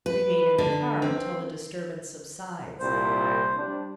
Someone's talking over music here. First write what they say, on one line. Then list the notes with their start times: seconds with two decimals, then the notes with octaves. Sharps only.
Remain in the car until the disturbance subsides.
0.06 B4
0.58 D3
1.02 C4
2.80 C2 A#2 C5
3.56 G3 D4